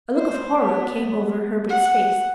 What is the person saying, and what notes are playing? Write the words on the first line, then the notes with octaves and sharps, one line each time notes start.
A look of horror came over Herbert's face.
C5
B3
F#5